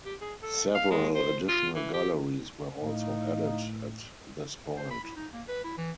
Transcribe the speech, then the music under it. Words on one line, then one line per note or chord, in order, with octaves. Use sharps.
Several additional galleries were also added at this point.
G4
G#4
A4
F5
G#3
C5
F4
E3
G4
A2 D#4 F5
C5
B5
E4
D#4
A#3
B4
E4
E3